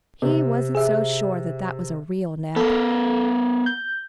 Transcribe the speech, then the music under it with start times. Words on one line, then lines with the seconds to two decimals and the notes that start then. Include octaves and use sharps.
He wasn't so sure that that was a real nap.
0.22 C3
0.75 G#4 E5
2.56 B3 A4 A#4
3.66 G6